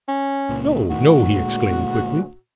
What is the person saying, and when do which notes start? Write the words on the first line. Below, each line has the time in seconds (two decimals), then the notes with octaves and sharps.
"No, no," he exclaimed quickly.
0.08 C#4
0.49 C#2 A#2
0.90 A2 D#3 F#4
1.33 D2 A#2 G#3